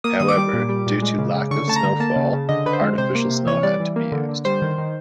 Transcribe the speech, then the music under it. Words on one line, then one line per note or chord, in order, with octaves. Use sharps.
However, due to a lack of snowfall, artificial snow had to be used.
A#3 D#6
D#3 D#6
D6
G3
A#2
G3
A#2
G#3
C#3
C#3
D3 C#6
A3 A5
A#5
D3
A#3 A5
C#3
C#3
D3 D#5
D3 B4
C5
G#3
C3 C5
A#3
C3
E3 C#5
G3 D5
E3
A#3
D3
D3
G3 C5
D#3
D#3